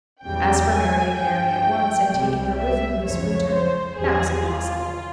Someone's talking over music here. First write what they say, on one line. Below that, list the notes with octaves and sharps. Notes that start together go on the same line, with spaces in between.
As for marrying Mary at once and taking her with him this winter, that was impossible.
E2 C#3 E3 G3 G5
G#5
G2 F3 G5
C2 C3 G3
E5
F2 C#3 F3 C#5
C5
E2 E3 G3 G#4
F4